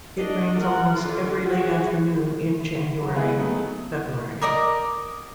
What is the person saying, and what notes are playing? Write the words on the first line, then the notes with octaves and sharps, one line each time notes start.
It rains almost every late afternoon in January-February.
D4 D#5
A#4 F#5
D3 F4
F#4 G#4
F#3
G#3 B3 E4 G#4 F5
F#3 A3 B3 D#4 G#4
A#4 D5 D#5 D6